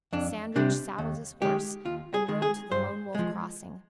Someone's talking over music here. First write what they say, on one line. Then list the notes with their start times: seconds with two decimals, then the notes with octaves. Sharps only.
Sandridge saddled his horse and rode to the Lone Wolf Crossing.
0.13 F2 D4
0.56 C3 G3 D4
0.98 D#2
1.42 D#3 G#3 G4
1.85 D#2 F4
2.14 G#4
2.28 D#3 G#3
2.42 G#4
2.71 G2 C5
3.15 F3 G#3